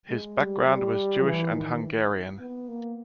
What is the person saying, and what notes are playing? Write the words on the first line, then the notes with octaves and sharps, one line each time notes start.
His background was Jewish and Hungarian.
G#3
G3
G3
E3
D#3
B3
A#3